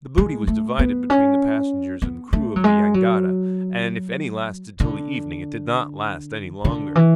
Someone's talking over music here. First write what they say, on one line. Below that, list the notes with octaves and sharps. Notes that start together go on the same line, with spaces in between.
The booty was divided between the passengers and crew of the jangada, and if any lasted till the evening it did not last any longer.
G#3
A3
B3
C#4
B3
A3
F#3
G#3
F#3
D3
D3
E3